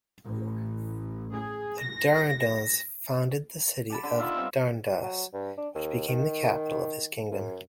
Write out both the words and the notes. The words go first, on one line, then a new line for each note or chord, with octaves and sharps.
There Dardanus founded the city of Dardanus which became the capital of his kingdom.
A1
G#4
A#6
G4 A5 B5
D3
D#3 B3 F4 E5
G3 C4 D#4
F#3
G2
D4
D#2
D#3
F#2